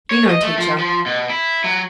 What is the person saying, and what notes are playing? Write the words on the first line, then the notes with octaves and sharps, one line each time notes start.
You know, teacher.
C#5
D#5
A3
F3
F3
B2
E4
F#3